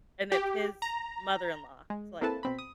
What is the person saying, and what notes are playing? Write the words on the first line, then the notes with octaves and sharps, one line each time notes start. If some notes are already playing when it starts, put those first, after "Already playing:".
and it's his mother-in-law, so, like
G4
A#5
G#3
A#3 C4 E4 A4 B4 A5
B2 C4 B5
D#6